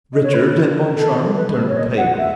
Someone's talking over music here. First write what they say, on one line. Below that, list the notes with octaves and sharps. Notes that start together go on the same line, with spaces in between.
Richard and Moncharmin turned pale.
D#5
C#5
B4
A4
B4
C#5
D#5
F#5
E5